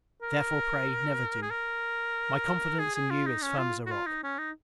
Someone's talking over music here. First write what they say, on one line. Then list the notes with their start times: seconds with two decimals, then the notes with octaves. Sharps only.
Therefore, pray, never do; My confidence in you is firm as a rock.
0.22 A#4
1.42 G#4
1.50 A#4
2.79 G#4
2.95 G#4
3.10 F4
3.26 D#4
3.42 C#4
3.58 F4
3.86 F#4
3.91 F4
4.06 D#4
4.23 C#4
4.38 D#4